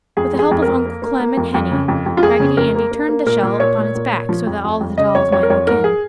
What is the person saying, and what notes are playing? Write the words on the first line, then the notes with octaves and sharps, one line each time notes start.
With the help of Uncle Clem and Henny, Raggedy Andy turned the shell upon its back, so that all the dolls might look in.
F2 G#4
F2
G#4
F2
A#4
F2
A#3
A#3
A#3
F2
F2
C#3
F2
F2
F4
F2 G#4
C#3
F2 A#4
A#3
A#3
A#3
A#2 A#4
A#2
A#2 C#5
A#2
A#2
A#2
F3
F2
F2
F2
C#3 D#5
F2 C#5
F2 C#5
A#4
F2 C#5
G#2 A#4
G#4